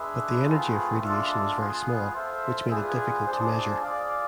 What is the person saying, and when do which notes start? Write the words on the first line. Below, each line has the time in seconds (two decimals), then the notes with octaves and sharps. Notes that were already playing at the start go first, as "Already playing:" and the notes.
But the energy of radiation was very small, which made it difficult to measure.
Already playing: G#3 D4 G#4 B4 E5
0.43 A3 C4 F4 G#4 B4
1.00 G#3 D4 F4 A4 E5
1.57 B3 F4 G#4
2.13 F4 A4 C5 E5
2.70 B3 F4 G#4 B4 D5
3.27 G#3 D4 F4 G#4 C5
3.84 F4 G#4 D5 F5